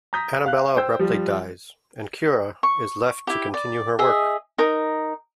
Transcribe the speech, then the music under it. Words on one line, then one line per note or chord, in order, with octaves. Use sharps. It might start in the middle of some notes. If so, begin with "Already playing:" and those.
Annabella abruptly dies, and Kira is left to continue her work.
A#5 D#6 G6 A#6 B6
F5 F#6
C5 G5 E6 G6
F3 G3
C#6
E4 G4
D5
G#4 D#5 E5
D#4 A#4 D#6